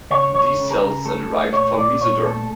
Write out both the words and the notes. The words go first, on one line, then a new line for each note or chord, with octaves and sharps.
These cells are derived from mesoderm.
C#3 C#5
C#2 C#5
C#3
A#4
C#3
A3 A4
A3
A#2 C#5
A#2 D5
A#2 C#5
A3 A4